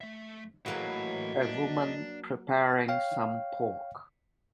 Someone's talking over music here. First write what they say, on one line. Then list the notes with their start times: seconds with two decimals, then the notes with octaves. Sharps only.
A woman preparing some pork.
0.01 A3 E5
0.66 A2 E3 F#3 A#3 B4 D#5 F#5
1.42 D4
2.88 C#5 F5 G5